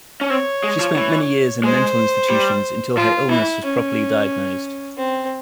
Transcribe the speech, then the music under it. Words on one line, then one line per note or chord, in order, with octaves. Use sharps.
She spent many years in mental institutions until her illness was properly diagnosed.
C#4
C4 C#5
G#3
F3
E3
G#3 C5
G3
F3 F4
E3 E4
C#4
C4